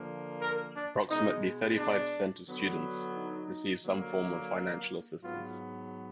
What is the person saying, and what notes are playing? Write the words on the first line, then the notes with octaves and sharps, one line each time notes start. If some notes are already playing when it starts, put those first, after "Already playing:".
Approximately thirty-five percent of students receive some form of financial assistance.
Already playing: D3 F3 A#3
A#4
D4
B2 G#3 B3 D#4
D4
D3 F#3 B3
D#4
D3 F#3 A#3
G#2 F#3 B3 F4